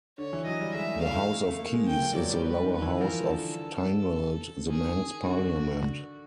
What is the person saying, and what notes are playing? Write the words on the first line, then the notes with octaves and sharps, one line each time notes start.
The House of Keys is the lower house of Tynwald, the Manx parliament.
D3 C#5
E3
F#3 D#5
G3
G#3 E5
A3
F5
A3
A3
A#3
G#3
G5
F3
F#3 D5
G3
G3 B4
D#3
B4
E3
F3 A#4
D3 A4
D#3 G#4
D3 F#4
D3